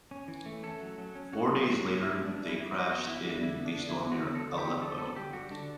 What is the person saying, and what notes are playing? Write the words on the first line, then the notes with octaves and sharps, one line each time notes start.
Four days later they crashed in a storm near Aleppo.
C#4
E3
A3
C#4 A4
F#3
F#3
C#4
C#4 F#4
F#3
F#3
C#4
E3 E4
B3
D4
E3
E4
G3
E3 F#4
B3 F#4
E3 E4
G3 D4
D3 E4
B3
D4
D3
E4
F#3
D3 F#4
B3
A4
D3
G4
F#3
D3 A4
B3 A4
D3 G4
G3 F#4
D3 D4